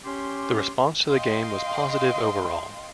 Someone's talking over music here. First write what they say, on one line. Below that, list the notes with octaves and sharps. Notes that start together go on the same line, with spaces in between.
The response to the game was positive overall.
C#4 G4 C6
D#5 F5 G5 C6